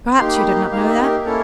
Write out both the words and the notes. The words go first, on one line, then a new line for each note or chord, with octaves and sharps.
Perhaps you did not know that?
A#3 D#4 G4 C6
B5
A#3 D#4 G4 F5
E5
A#4
A#3 C#4 E4 A4